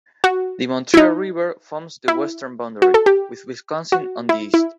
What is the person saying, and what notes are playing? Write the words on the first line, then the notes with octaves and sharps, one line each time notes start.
The Montreal River forms the western boundary, with Wisconsin on the east.
F#4
E4
D#4
E4
F#4
A4
G4
F#4
E4
E4